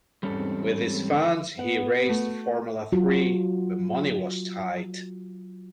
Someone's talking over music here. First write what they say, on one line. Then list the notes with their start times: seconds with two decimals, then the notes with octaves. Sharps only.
With these funds, he raced Formula Three, but money was tight.
0.23 E2 G#2 G3 C4 C#4 A4
1.59 B3 F#5
2.05 A3 F#4
2.92 F#3 F4 F#4